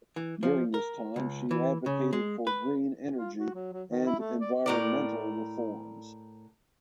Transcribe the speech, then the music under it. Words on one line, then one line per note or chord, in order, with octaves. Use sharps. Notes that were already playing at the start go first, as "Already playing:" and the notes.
During this time she advocated for green energy and environmental reforms.
E3
F3
A#4
C#2
E3
C#3
G#3
B4
F4
F#4
F#3
F#3
D#3
E4
A3
D5
A2 A#4 D5